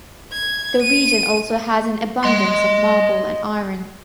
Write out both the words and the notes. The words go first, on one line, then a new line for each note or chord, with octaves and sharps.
The region also has an abundance of marble and iron.
G#6
D#7
D#5 C6